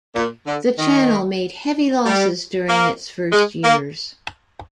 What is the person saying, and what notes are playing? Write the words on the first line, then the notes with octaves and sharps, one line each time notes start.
The channel made heavy losses during its first years.
A#2
D3
D#3
G3
A#3
G#3
A#3